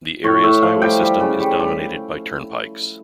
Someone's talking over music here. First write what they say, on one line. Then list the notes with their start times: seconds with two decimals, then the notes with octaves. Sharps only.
The area's highway system is dominated by turnpikes.
0.24 A2 C#5
0.43 A2 E5
0.62 F3 F5
0.82 G3 G5
1.02 G3
1.20 C#3
1.40 G3
1.59 G3